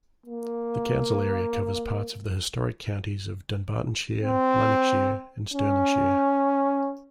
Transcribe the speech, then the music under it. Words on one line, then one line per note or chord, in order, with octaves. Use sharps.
The council area covers parts of the historic counties of Dunbartonshire, Lanarkshire and Stirlingshire.
A#3
C4
C#4